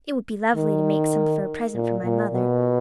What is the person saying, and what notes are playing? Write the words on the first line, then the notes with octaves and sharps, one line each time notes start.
"It would be lovely to make some for a present for my mother."
D#3
A#2
A#2
B2